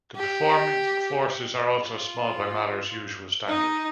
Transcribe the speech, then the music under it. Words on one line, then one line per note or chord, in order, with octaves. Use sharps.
The performing forces are also small by Mahler's usual standard.
G4
F4
D#4